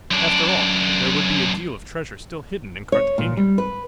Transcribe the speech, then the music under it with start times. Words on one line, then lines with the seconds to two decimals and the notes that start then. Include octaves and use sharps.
After all, there would be a deal of treasure still hidden in Cartagena.
0.11 F#2 D4
2.92 C#5
3.18 A#2
3.37 G3
3.58 B4